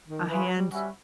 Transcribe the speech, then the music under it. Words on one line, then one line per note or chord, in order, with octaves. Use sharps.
a hand,
D#3
E3 C#4 F4 G#4 B4
F#3
G3
G3 C#4 F#4 B4 E5